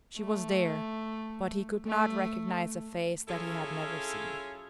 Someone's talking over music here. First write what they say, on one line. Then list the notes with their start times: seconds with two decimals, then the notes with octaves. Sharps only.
She was there--but he could not recognise a face that he had never seen!
0.18 A3
1.87 A3
3.28 F#3 C#4 E4 F4 G#4 A4